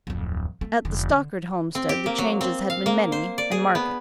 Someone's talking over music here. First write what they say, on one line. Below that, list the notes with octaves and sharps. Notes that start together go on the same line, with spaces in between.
At the Stockard homestead the changes had been many and marked.
D1 F2
A3
F1 D3
D3
C4
G4
A#3
F#3
C4
F5
A#3
C5
D5
G#4
B3